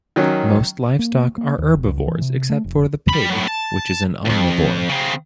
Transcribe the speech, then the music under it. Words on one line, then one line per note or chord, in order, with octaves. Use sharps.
Most livestock are herbivores, except for the pig which is an omnivore.
D#3 F#3 C#4
A#3
A#3
D#2
F1
C#2
E3
C3
A3
F1
G3 B5
A2 F#3
A5
C2 F2
C#3 C4